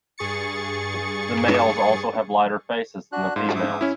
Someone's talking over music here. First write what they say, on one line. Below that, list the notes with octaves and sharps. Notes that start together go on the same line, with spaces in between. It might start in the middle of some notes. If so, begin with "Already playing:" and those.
The males also have lighter faces than the females.
G2 G#4 C#6 A6 C#7
D4 F#4 F#6
G#2 F4 C5
E5 D6 D#6
C#4 E4